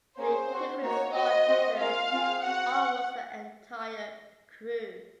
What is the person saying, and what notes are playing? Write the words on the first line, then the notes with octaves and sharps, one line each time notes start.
They quickly slaughtered almost her entire crew.
A#3 C#4 G#4 C5
C4 F#4
A#3 D#4 F#4 C#5
C4 F#4 D#5
C4 F#4
A#3 F4 G#4 F5
C4 F4 G#4
C4 F#4 F#5